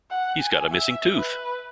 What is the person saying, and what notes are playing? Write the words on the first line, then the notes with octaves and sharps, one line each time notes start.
He's got a missing tooth!
F#5
G#5
E5
B4